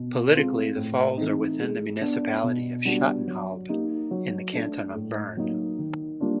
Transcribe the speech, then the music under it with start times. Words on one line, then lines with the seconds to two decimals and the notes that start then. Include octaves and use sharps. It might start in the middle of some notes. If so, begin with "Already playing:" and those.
Politically, the falls are within the municipality of Schattenhalb in the canton of Bern.
Already playing: B2
0.34 G#3 C4 F4 A4
0.76 A2
1.17 E3 A3 C4 D#4
1.59 G#3
2.01 B3 D4
2.43 B2
2.85 G3 B3 D4 F#4
3.28 F#3
3.69 A#3 D#4 G4
4.11 F#3
4.53 A3 D4
4.95 A2
5.37 F#3 A#3 D#4
5.79 D#3
6.20 G3 A#3 D4 F4